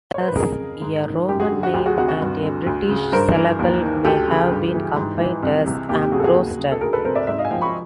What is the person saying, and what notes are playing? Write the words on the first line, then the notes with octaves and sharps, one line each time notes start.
Thus, a Roman name and a British syllable may have been combined as "Ambrosden".
C#5
C5
B4
F2 G#4 A#4
C#3
G#2
D#3
F#2 G4
F#4 G#4
D3 G4
F#4
D2 G4
F#4 G#4
C3 F#4 G#4
F#4
G2
D3
D2
C#3
G2 A#4 C5
E3
D#2
D#3
D2 G4 A4
C#3
G2
E3
G#2
E3
C2
C3
D#2 G4
G4
C#3 F#4 G#4
A4
F#4 G#4
D#2
C#3
A4
D2 G#4 A#4
A4 B4
C3 A#4 C5
D5 E5
G#2 D5 E5
D#5 F5
G#5
F3 F5 G5
B5 C#6